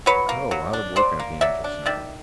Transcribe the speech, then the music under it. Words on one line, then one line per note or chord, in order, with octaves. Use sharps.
I've got a lot of work on hand just now.
F#3 B4 C#5
A#3
F#3
D4
F#3 C5 D5
A#3
F#3 D5 E5
D4
D#3 D5 E5